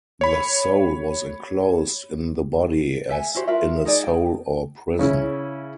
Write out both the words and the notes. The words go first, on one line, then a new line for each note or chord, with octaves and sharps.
The soul was enclosed in the body as in a soul or prison.
C#5 B5
A4 E5 G#5
E4 F#4 G4 C5
F4 A#4 B4 E5
D#4 G#4 D5
G5
C#3 C#4 E4